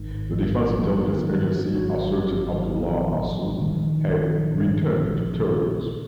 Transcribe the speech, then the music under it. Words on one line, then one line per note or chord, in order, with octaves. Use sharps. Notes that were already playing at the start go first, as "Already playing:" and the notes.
The Defense Intelligence Agency asserted Abdullah Mahsud had "returned to terrorism".
Already playing: G#1 D#3
G#2
G#2 F#3 A#3
F#3
D#3 G#3
G#2
F#3
G#1 F#3
G#1
A#2
A#1
A#1 D#3 G#3
A#1
A#1
A#1
A#2